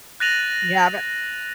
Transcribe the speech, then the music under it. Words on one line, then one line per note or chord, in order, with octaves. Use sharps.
You haven't?
F#6 A6 A#6 D#7 F7 F#7